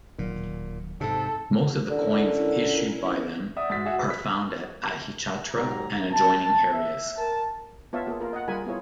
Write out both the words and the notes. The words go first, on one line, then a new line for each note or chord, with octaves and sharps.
Most of the coins issued by them are found at Ahichatra and adjoining areas.
D1 A#2 D#3 F#3
G#2 C3 A4
D3 C#4 E4 A#4
D5 E5 F#5 D#6
G#2 F#4 A6 B6
F#4 G#4 E5 F#5
B4
B6
G#1 G#2 F#3 G4 A#5
A5
E5
A#4 A5
B3 F4 C#5 E5 F5 A5
A#3 F4 G#4
F4 A#4
D#5 F#5
G3 F4 G#4 A#4 G#5 B5
B3 E4 F4 G#4 C#5